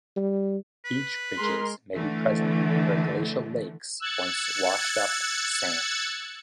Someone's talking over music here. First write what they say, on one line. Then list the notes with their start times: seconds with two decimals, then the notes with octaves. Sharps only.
Beach ridges may be present where glacial lakes once washed up sand.
0.17 G3
0.85 B4
1.38 G#3 A#4 C6
1.95 D3 E3 A3
4.00 E6 F#6 G#6 A6 C#7